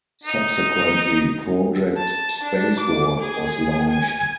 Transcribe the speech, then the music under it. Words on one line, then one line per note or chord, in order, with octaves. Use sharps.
Subsequently, project Spacewalk was launched.
D#4
A5
D4
D6
G#4
G#5